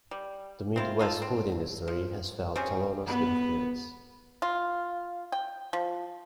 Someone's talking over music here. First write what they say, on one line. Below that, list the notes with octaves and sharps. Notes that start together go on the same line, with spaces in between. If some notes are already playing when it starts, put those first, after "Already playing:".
The Midwest food industry has felt Tolono's influence.
G3
C4 E4 F4
D#4 F4 A4
C4
F3
G3 C4 C#4 G#4
B3 B4
F4
G5
F3